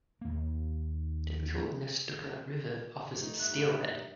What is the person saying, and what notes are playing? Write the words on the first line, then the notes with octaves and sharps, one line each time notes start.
The Little Nestucca River offers steelhead.
D#2 A#3
F1 A3 D#4
G2 E5 F#6